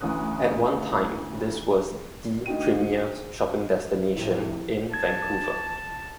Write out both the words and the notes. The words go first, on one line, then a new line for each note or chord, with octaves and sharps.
At one time this was the premiere shopping destination in Vancouver.
D2 E3 C#4 D#6 F#6
D2 D#4 F#4 G5 D#7
F2 A2 C3 E4
A5 G#6